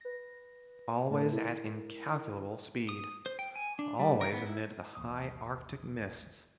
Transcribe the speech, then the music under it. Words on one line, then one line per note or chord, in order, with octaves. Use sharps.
Always at incalculable speed! Always amid the High Arctic mists!
B4 A#6
A2 A3 C4 A#4 B4 A5
E4 A#4
D#6
C5
G5
G#5
D4
G3
A#4
B3
E4
A1 D#2 D#6